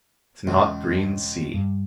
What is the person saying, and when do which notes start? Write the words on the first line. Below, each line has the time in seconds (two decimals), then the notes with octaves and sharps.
The snotgreen sea.
0.47 E1 C#2
1.54 G2